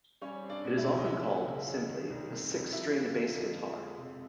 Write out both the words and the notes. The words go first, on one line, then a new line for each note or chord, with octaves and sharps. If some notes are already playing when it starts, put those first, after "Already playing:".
It is often called, simply, a "six string bass guitar".
G3 C#4 C#5
C4
D4 D5
B2
E4 E5
C#2
D#5
F#3 E4 E5
A#3
C#3
F2
D#3
C2
C3
C2
F3 E4 E5
A#3
D3
F2
F3
G#3
C3